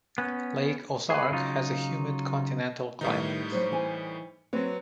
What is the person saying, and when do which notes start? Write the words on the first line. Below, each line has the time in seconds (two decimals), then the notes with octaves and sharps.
Lake Ozark has a Humid continental climate.
0.18 B3 C#4
1.10 G#4 B4
1.31 C#3 F#3 D#4 F4
3.01 A2 D#3 G3 D#4 B4 E5
3.52 F#3 C5
3.71 E3 C5 G#5
4.53 F#3 C4 B4 C#5